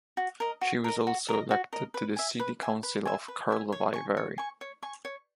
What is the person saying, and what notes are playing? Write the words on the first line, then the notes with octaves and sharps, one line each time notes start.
She was also elected to the city council of Karlovy Vary.
F#4
A#4 D#5
F#4
A#4 D#5
F#4
A#4 D#5
F#4
A#4 D#5
B4
E5 G#5
B4
E5 G#5
B4
E5 G#5
B4
E5 G#5
C#5
G#5 C#6
C#5
G#5 C#6
C#5
G#5 C#6
C#5